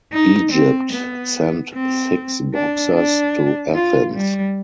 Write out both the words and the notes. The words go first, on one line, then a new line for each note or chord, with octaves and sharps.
Egypt sent six boxers to Athens.
D#4
C4
B3
C4
D4
D4
F4
G3